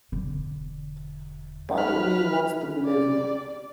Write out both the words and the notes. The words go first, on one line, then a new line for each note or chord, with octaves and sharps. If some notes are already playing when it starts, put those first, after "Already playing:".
Part of me wants to believe you.
E1 D3
D#4 A4 B4 F6
D5